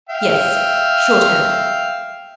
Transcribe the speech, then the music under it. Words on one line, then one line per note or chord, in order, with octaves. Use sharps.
'Yes, shorthand.
E5 F5 G5